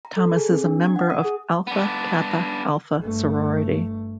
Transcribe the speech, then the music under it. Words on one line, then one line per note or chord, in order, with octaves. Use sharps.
Thomas is a member of Alpha Kappa Alpha sorority.
A#5
A4
G#4
C4
D4
G#6
F#5
D#6
G#4
B3 D4
G1 A3